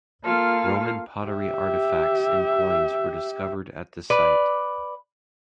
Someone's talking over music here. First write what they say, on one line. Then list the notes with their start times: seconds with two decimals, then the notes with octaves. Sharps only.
Roman pottery artefacts and coins were discovered at the site.
0.23 A#3 F4 A4 F5
1.26 G4 E5
4.10 B4 D5